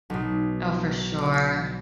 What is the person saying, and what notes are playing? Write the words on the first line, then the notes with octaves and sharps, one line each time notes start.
Oh, for sure.
B1 B2